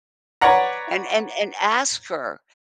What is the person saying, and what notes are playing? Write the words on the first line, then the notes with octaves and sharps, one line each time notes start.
And and and ask her.
B4 C#5 D5 F#5 A#5